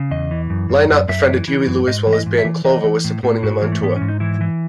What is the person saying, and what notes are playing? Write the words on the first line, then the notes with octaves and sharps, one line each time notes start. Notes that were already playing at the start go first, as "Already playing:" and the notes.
Lynott befriended Huey Lewis while his band, Clover, was supporting them on tour.
Already playing: C#3
E2 D#5
E3
F#2
F#2
F#2
F#2 E5
E3
E3
F#2
G#2 D#5
E3
D#5
G#2
E5
E3
E3 D#5
E3
A2
A2
G#2 F#4
E3
A3
G#2 B3
G#2 C#4
D#4
E3 E4
E3